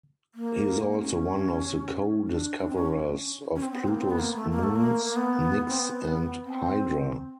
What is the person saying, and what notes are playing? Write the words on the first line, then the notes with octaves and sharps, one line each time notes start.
He is also one of the co-discoverers of Pluto's moons, Nix and Hydra.
A#3
C4
C#4
D4
D4
C4
C#4
C#4
C4
B3
C4
A#3
C4
B3
A#3
A3
A#3
A3
A#3
A#3
B3
C4
B3
C4